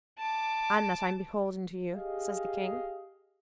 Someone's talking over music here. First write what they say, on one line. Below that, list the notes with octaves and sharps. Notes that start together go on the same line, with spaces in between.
"And that I'm beholden to you," says the king.
A5 D6
G4 G#4 D#5 F5